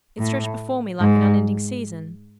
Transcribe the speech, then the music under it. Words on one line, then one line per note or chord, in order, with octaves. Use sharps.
It stretched before me like an unending season.
A2
G#2